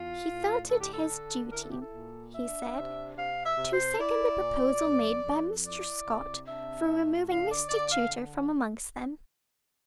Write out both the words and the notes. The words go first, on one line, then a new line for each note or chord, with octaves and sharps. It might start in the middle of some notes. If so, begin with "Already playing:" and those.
'He felt it his duty,' he said, 'to second the proposal made by Mr. Scott for removing Mr. Tudor from amongst them.
Already playing: E2 F4
A2
D3 A4
G4
A4
D3
E4 A#4
A4
G4
A4
A#2
D4 E5
C3
C3 F5
E5
C3
C5
E4 D5
A#2
F2
F2
E4 D5
C3
D4 E5
A2
D3 F5
D5
D3 D5
F5